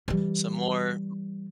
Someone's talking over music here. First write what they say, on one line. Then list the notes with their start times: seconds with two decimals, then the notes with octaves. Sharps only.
so more m
0.08 E3 G3